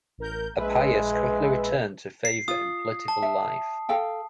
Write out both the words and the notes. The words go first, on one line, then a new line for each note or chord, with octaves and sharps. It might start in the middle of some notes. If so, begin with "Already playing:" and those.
Appius quickly returned the favour in political life.
A1 A#4 G6
A#1 G#3 B4 E5
C7
F4 D#6
A5
E5
A4 F5 G5